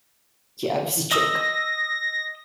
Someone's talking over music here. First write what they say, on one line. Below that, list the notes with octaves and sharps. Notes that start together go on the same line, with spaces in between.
Yeah, it was a joke.
D#5 D#6 E6 A#6